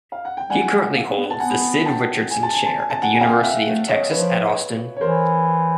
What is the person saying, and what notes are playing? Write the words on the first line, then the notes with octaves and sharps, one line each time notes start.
He currently holds the Sid Richardson Chair at the University of Texas at Austin.
F5
F#5
G5
G3 F#5 G#5
G#3
A#3
B3
A5
B3 F#5 G#5
G5 A5
G#5
A5
G#5
A5
G#5
A5
F#5 G#5
G#5
A#3 F5 G5
E5 F#5
A3
C#5 D#5
F3 B4 C#5
C#5
E3 A#4 C5